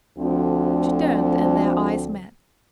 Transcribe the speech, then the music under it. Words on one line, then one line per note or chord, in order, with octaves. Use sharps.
She turned and their eyes met.
D2 F3 C4